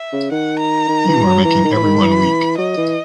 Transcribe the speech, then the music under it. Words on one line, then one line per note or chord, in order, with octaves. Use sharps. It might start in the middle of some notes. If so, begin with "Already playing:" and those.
You are making everyone weak.
Already playing: E5
C#3
D#3 F#5
A#5
D#3
E3
F#3
E3 A#5
D#3
E3 B5
D#3
E3
F#3 D#5
E3